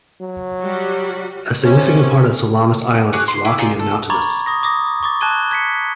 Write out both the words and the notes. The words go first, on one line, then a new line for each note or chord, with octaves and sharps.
A significant part of Salamis Island is rocky and mountainous.
F#3
G3 F#4
C3 C#4
F#4 G#4 D6
C6
E4 D6
D#4 F4 G#4 D5
A4
A#5 B5 C#6 D6 G#6 A6
C#6 D#6 A#6
D6 D#6 A#6
C#6 D6 A6
A5 F#6 G#6 D#7 G7
G#6 B6 C#7